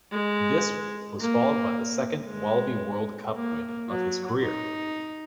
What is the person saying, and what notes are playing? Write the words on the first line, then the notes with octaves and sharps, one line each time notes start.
This was followed by the second Wallaby World Cup win of his career.
G#3
A#3
G#3
A#3
F#3
D#4